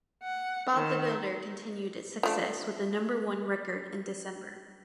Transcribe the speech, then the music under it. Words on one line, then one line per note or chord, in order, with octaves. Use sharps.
Bob the Builder continued its success with the number one record in December.
F#5
D#3
F3 A3 D4